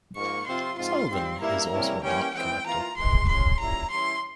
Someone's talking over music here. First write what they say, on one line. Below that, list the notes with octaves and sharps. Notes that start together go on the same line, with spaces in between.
Sullivan is also an art collector.
G#2 F3 A#3 C#6
C3 F3 C4 F4 C6
G#2 F3 C4 F4 C6
G#2 G3 C4 F4
G2 G3 A#3 E4 A#5
C3 G3 A#3 C#4 E4
E3 G3 A#3 C#4 G5
E3 G#3 C4 G5
E3 A#3 F4 A#5
G#2 E3 G#3 C6
F3 G#3 C#4 C6
A#2 G3 C#4 E4 A#5
E3 G3 C#4 E4 C6